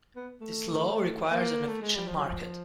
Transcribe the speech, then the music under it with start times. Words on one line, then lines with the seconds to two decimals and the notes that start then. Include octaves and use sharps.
This law requires an efficient market.
0.16 B3
0.41 A3
1.31 A#3
1.68 A3
1.82 G#3
1.95 G3
2.07 F3
2.16 F#3
2.25 F3